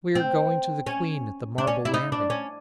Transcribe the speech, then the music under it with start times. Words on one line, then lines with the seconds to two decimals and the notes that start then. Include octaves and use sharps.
We are going to the queen at the marble landing.
0.15 C4
0.86 C#4
1.58 D4
1.67 C#4
1.85 E4
1.94 D#4
2.12 D4
2.30 C#4